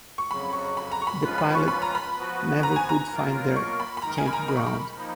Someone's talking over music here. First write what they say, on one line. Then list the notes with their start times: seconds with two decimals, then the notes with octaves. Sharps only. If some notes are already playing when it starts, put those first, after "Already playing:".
The pilot never could find their campground.
0.18 C#6
0.29 F2 C#3 F#3 B5
0.53 C#6
0.77 B5
0.92 A#5
1.02 C#6
1.07 B5
1.23 F3 G#3 C#4 F4 B4 B5
1.38 B5
1.55 C#6
1.68 B5
1.82 A#5
1.95 B5
2.16 F3 B3 F#4 B4
2.63 A#5
2.76 G#5
2.89 A#5
3.09 B2 F#3 A#3 F4 A#4
3.56 C#6
3.80 B5
3.97 B5
4.02 D#3 G#3 D#4 A#4 A#5
4.18 G#5
4.27 B5
4.33 A#5
4.48 B5
4.57 C#6
4.67 B5
4.96 F3 A#3 D#4